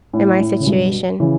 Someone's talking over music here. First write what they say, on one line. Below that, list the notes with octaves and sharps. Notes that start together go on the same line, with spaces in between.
in my situation.
A2
A2
C#3
G2 B2
C#3 E3